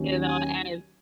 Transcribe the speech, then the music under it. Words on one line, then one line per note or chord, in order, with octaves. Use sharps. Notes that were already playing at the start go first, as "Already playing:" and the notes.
You know, as
Already playing: D#2 D#3 F#3 C#4
G#5